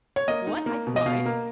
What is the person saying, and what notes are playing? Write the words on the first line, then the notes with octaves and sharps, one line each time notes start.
"What!" I cried.
C#5
A#3 D#5
D#4
A#3
B2
D#5
B2 F5
A#3